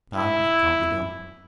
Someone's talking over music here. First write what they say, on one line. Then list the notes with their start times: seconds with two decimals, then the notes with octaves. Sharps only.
Now, it can't be done.
0.16 E4